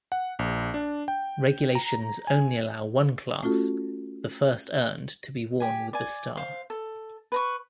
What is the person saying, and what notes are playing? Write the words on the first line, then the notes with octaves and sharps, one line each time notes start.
Regulations only allow one clasp, the first earned, to be worn with the Star.
F#5
A#1
D4
G5
A#5
G#5
A3 C#4 F4 F#4 A4
G4 G#5
D5 G#5
C5 F5
A4
B4 A#5 C#6